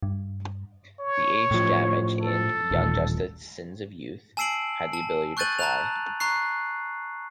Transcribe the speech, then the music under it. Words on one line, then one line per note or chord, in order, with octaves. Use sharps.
The aged Damage in "Young Justice: Sins of Youth" had the ability to fly.
G2
C#5
A2 F3
A4
D#1 A1
G#5 A5 E6 C7 D7 F#7
A5
C#6 F#6 G6 A6 D#7 F#7
A5 A#5 F#6 F7
A#5 C#6 F#6 C7